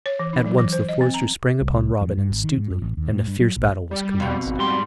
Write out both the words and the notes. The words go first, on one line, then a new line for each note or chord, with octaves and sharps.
At once the foresters sprang upon Robin and Stuteley, and a fierce battle was commenced.
C#5
E3
D#4
F#3
E3
C5
D#5
C4
A#5
C2
F2
G2
G#1
D#3
G#2
F#2
A1
D#2
A2
G2
F#3
A#1
G3
G3
F2 B2
G#1
G#2 G3 C6